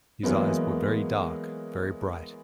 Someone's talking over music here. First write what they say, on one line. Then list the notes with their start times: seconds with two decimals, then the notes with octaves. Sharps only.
His eyes were very dark, very bright.
0.23 E3 F#3 G#3 A#3 B3